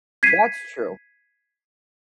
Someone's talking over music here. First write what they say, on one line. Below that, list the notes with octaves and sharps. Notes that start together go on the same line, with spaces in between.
That's true.
G#6 B6 C7 D#7